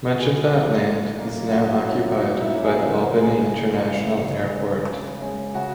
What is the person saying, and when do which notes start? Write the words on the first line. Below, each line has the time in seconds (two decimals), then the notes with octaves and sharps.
Much of that land is now occupied by the Albany International Airport.
0.10 F#4
0.17 A#2 G#4
0.51 F#3 A#3 C#4
0.84 A#2
1.18 F#3 A#3 C#4
1.51 A#2 F#4
1.85 F#3 A#3 C#4 E4
2.18 A#2 D#4
2.41 E4
2.52 F#3 A#3 C#4
2.64 G#4
2.86 C#3 A#4
3.19 G#3 C#4 G#4
3.53 C#3
3.76 E4
3.86 G#3 C#4
3.98 E4
4.20 C#3
4.54 G#3 C#4
4.88 C#3
5.21 G#3 C#4
5.54 C#3 F#4